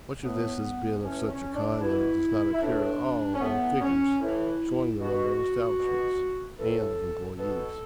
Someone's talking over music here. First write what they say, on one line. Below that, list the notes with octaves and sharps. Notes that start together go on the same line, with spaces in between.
Much of this has been of such a kind that it does not appear at all in the figures showing the number of establishments and of employees.
A2 E3 B3
A2 E3 C#4
C#4
D4
B2 E4
E4
A2 E3 D4
C#4
A2 E3 B3
C#4
A2 E3 E4
B2 F#4
B2
A2 E3 A4
B2 A4